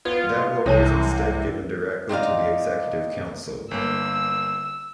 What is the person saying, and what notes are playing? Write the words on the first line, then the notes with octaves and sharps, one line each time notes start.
That role was instead given directly to the Executive Council.
B3 F4 G#6
C2 C3 E3 A4 C#5 A5
C4 D#4 D5 F5
G1 A#3 E6